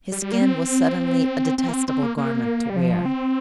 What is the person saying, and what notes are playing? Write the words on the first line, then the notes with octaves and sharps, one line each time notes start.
His skin was suddenly a detestable garment to wear.
G3
G3
A#3
C4
C4
A#3
C4
C4
A#3
A#3
G3
F3
C4